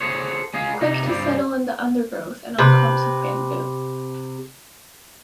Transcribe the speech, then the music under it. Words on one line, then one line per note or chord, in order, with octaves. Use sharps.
Quick to settle in the undergrowth and on clumps of bamboo.
G#4 A4 C5 C#5
G#3 G#4 F5
C3 D#4
G2 G3 C4 D5
C3 B4